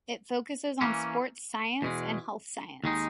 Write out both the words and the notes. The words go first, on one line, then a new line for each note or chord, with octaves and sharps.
Its focuses on sports science and health science.
E3 A#3 C#4
E2 B2 G#3
D#2 D#3 G#3 D#4